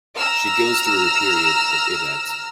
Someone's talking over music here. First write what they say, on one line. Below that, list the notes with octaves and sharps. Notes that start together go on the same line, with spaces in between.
She goes through her period of "iddat".
A#5 E6 F6